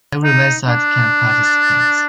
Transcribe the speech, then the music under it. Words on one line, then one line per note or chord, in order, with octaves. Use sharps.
Every website can participate.
D#4
D4